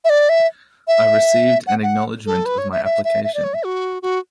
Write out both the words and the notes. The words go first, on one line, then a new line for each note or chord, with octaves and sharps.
I received an acknowledgement of my application.
E5
D5
E5
E5
F#5
F#5
A4
B4
C#5
E5
E5
E5
E5
D5
C#5
E5
F#4
F#4